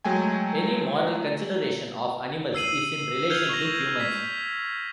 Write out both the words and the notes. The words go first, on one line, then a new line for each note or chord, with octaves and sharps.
Any moral consideration of animals is in relation to humans.
F#3 G#3 A3 G5 G#5
E6 C7 D#7 F#7
F6 G6 G#6 F7 G7
C#6 A#6
B6